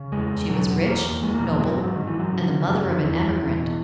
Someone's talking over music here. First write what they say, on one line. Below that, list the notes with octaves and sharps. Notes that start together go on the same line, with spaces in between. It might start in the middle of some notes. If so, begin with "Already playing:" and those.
She was rich, noble, and the mother of an Emigrant.
Already playing: C#3
E2 G#3
E2
B2 F#3
E2
E2 A#3
E2
E2 G#3
A#3
B2
G#2 F#3
G#2 F#3
G#2 D#3
E3
G#2
F#3
C#3
C#3
F#2
F#2
E2 E3
E2
E2
B2